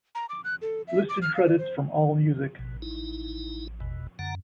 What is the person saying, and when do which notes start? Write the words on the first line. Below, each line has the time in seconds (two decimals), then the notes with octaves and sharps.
Listed credits from AllMusic.
0.15 A#5
0.29 D6
0.44 F#6
0.62 A4
0.88 E5
1.09 D6
1.22 F6
1.35 F5
1.46 D5
1.59 C5
2.59 A1 B2
2.82 D#4 E4
3.80 G#1 E2 B2
4.19 F#2 D3 F#5 A#5